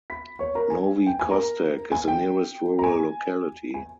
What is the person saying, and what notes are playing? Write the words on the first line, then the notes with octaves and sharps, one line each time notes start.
Novy Kostek is the nearest rural locality.
B5 B6
C#5 C#6
A#4 A#5
G#5
G5
G#5
A#4 A#5
G#5
G5
A#5
G#5
G#5